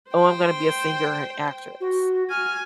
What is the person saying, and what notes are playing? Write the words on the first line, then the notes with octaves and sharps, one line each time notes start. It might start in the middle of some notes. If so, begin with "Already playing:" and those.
"Oh, I'm gonna be a singer and an actress,"
C5 G5
F#4
G#5 F6